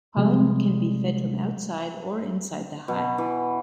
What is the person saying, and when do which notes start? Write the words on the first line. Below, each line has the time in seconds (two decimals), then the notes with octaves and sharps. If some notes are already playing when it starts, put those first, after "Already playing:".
Pollen can be fed from outside or inside the hive.
0.17 C3 F3 G3 G#3
2.88 B2
3.18 E3